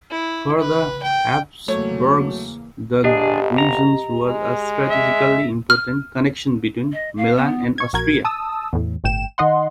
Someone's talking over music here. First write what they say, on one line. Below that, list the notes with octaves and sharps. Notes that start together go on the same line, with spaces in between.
For the Habsburgs, the Grisons was a strategically important connection between Milan and Austria.
E4
B4
G5
E2 C#3 F#3 A3 A#3 C#5
G1 D4 G4 G#4 D#5
A#5
G#3
E5
F6
D#5
F5
B3
C#6 G#6
A#1 F#4 A#4 G#6
A5 D#6 E6
E2 A2
G1 A2 G5 E7
D#3 D#4 D#5 F#5 C6